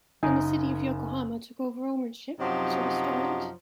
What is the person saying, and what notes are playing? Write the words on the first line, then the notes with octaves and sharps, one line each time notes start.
Then the city of Yokohama took over ownership, to restore it.
F#1 D#4 A#4 G#5
F#2 C3 F3 F#3 D#4